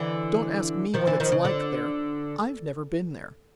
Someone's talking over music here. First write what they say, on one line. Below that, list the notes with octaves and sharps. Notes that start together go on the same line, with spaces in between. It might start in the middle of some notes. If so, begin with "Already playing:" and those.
Don't ask me what it's like there. I've never been there.
Already playing: D3 E3
D#3 F3
D3 E3
D#3 F3
C#3
D3